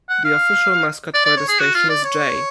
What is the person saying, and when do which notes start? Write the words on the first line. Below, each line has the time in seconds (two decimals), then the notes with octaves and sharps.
The official mascot for the station is J.
0.09 F#5
0.24 F5
1.14 D5
1.25 D5
1.37 C#5
1.48 G#4
1.59 F#4
1.74 F4
1.89 D5
2.04 C#5